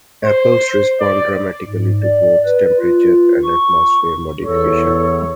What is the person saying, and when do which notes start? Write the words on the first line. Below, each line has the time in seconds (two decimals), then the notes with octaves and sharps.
Apples respond dramatically to both temperature and atmosphere modification.
0.24 C5
1.00 D5
1.67 G#2
2.03 D5
2.45 B4
2.79 F4
3.43 C#6
4.45 E2 A4 C#5